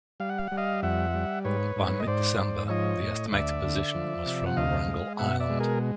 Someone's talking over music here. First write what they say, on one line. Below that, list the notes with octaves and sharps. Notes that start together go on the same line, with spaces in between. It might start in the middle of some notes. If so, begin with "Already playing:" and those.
By mid-December the estimated position was from Wrangel Island.
G3 F5
F#5
F5
F#5
G3
D#5 F5
F2 E5 F#5
G3
G#2 B4 C#5
G#2
D#5
G#2 C5 D5
G#2
F3 C#5 D#5
A2
D2 D5 E5
D3
F3
C3
F#5
D2 D#5 F5
G#3
B2 E5 F#5
D5 E5
G#3
G#4 A#4